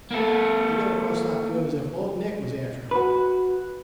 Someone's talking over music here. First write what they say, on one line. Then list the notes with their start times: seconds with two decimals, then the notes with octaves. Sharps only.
He got across that field as if Old Nick was after him.
0.11 A#3 A4
2.91 F#4 B4